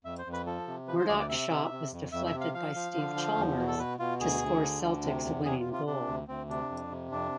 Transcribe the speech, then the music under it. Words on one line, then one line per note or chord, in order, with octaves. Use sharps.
Murdoch's shot was deflected by Stevie Chalmers to score Celtic's winning goal.
F2 E5
C5
F2
B4
F3 A4
C3
F3 B4
C5
D2 D5
D5
C3 E5
C3
C3
F2
F2 E5
E5
C3
F5
F3 F5
F3
D3
F3
E2
B2
A4
B2 B4
B2 F4
D2 G#4
D2
D3
D2
C3
E2
C3 G#4
F4
C3
F4
C3 D4
D2
D2 C4
C3 D4
F2
C3
F2 D4